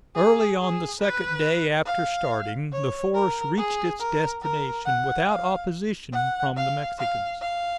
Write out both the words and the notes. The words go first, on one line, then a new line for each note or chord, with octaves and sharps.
Early on the second day after starting the force reached its destination, without opposition from the Mexicans.
G#4
G#4
B4
F5
C#5
A#4
G#4
A#4
A#4
F#5
F5
F#5
F5
F5
F5